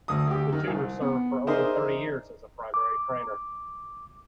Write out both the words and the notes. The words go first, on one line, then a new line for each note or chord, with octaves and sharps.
The Tutor served for over thirty years as a primary trainer.
D2 D#6
D2 G4
D#3
C2
B3
D4 D#4 G#4 A#4 C5 E5
D6